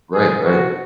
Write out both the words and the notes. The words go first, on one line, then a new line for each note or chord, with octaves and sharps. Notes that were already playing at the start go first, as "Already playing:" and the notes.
Right, right.
G#4
F#4